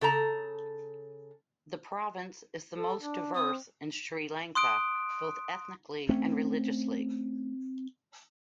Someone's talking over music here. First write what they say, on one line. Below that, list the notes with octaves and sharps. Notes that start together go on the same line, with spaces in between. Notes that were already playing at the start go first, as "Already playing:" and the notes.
The province is the most diverse in Sri Lanka, both ethnically and religiously.
C#3 A4 A5 A#5
A4
D4
C4 D#6
C6 D#6 F#6 D7
A3 C4 C#4